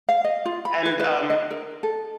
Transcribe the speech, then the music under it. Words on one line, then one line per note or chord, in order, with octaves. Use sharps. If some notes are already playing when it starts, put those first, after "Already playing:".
And, um,
F5
D#5
F4
B5
B4
B4
D#5
A#4
A4